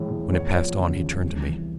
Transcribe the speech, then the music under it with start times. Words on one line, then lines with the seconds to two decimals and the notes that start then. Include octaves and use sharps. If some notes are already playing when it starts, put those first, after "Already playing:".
When it passed on, he turned to me.
Already playing: A2 E3 G#3
0.11 A2
0.33 E2 C#5
0.56 F3
0.78 C#3
1.01 E2
1.24 C2
1.46 E3